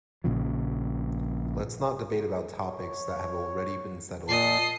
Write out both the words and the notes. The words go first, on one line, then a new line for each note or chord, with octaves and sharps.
Let's not debate about topics that have already been settled.
A#1 A#2 C#3 F3
C#5
A#2 D#5 A5 C7